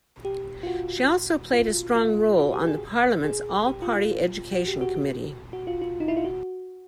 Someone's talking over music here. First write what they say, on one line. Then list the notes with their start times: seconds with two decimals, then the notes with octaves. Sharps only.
She also played a strong role on the Parliament's All-Party Education Committee.
0.25 G4
0.63 F4
0.67 F#4
1.53 F4
1.96 F4
2.38 F#4
2.53 G4
2.67 G#4
3.24 G#4
3.67 G4
3.82 F4
3.96 F4
4.53 F#4
4.67 G4
4.81 F#4
4.95 F#4
5.53 F#4
5.67 F4
5.81 F4
6.00 D#4
6.08 E4
6.17 F4
6.24 F#4